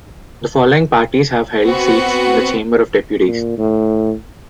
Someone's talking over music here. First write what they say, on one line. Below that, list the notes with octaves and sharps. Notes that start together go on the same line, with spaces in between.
The following parties have held seats in the Chamber of Deputies.
B3 C4 F#4 B4
A#2
A2